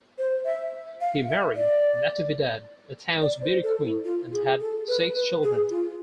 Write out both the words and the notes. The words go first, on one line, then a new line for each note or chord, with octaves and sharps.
He married Natividad, a town's beauty queen and had six children.
C5
E5
F5
E5
D5
D5
C5
A4
E4
F4
G#4
A4
B4
B4
G#4
F4